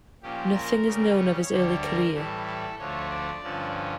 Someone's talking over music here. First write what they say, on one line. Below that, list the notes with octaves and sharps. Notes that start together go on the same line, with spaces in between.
Nothing is known of his early career.
A#2 F3 C#4 G4
A#4
C#3 G3 C#4
C#5
D2 D3 G3 D4
A#4
A2 E3 G3 A4
A4
D2 D3 F3 A3 C#5
D5
G2 D3 F3 C#4